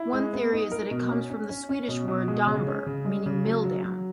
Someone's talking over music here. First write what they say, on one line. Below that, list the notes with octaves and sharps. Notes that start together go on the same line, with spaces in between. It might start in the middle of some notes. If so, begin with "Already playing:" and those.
One theory is that it comes from the Swedish word "damber", meaning "milldam".
Already playing: E4
G#3
B3
D#4
A#4
B2
C#4
C#4
C#4
C#4
B2
B2
G#3
C#3
C#4
C#3
G#3
C#3
F#3
F#3
F#3